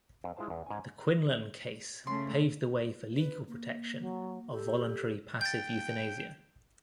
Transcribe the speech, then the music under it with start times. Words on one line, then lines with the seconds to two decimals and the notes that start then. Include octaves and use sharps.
The Quinlan case paved the way for legal protection of voluntary passive euthanasia.
0.24 F2
0.37 G#3 E4 F4 C5 A5
0.50 E2
0.66 G#2 C#4 G#5
2.07 C#3 A3 C6
3.17 B4
3.48 A#3
3.99 F#3
4.52 G4 A4
5.41 G5 G6 A6